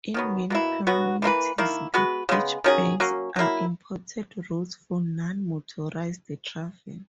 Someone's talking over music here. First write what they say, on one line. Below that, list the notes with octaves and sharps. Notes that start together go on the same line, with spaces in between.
In many communities, the ditchbanks are important routes for non-motorized travel.
D#3 F#3 B3
B2 A#3 E4
B2 F#3 B3 F#4
E3 A#3 E4 B4
D#3 A#3 E4
G#3 B3 F#4 B4
C#3 G#3 B3
D#3 F#3 C#4 G#4
F#3 A#3 C#4
F#3 A#3 E4